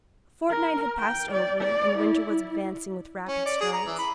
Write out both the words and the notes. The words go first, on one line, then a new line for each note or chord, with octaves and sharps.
A fortnight had passed over and winter was advancing with rapid strides.
A#4
G5
D5
D5
E4
C#4
D5
G#4
A#5
E3
B5